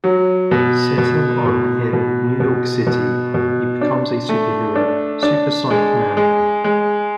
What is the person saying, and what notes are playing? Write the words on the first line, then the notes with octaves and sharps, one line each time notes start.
Setting on in New York City, he becomes a superhero, Supersonic Man.
F#3
B2
B2
B2
B2
B2
B2
B2
D4
A3
D4
D4
G#3
G#3
G#3